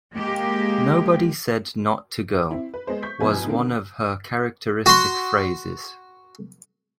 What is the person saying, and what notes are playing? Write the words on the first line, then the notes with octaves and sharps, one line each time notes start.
"Nobody said not to go" was one of her characteristic phrases.
G#3 A#3 G4
C4 E4
B4
G#3 B3 C5
C#6 G6 B6
F1 B2 B3 E4 G#5
D3 D#3 A#3 C4
F#4 C6